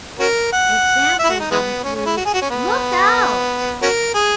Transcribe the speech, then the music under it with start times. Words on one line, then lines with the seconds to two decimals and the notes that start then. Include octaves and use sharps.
Examples include: Look out!
0.19 C#4 F#4 A#4
0.53 F#5
1.19 E5
1.24 E4
1.29 F#4
1.40 D#4
1.51 E3 G#3 B3
1.84 C#4
1.95 C#4
2.06 E4
2.17 F#4
2.25 G#4
2.34 F#4
2.42 C#4
2.50 B3
3.82 C#4 F#4 A#4
4.14 G#4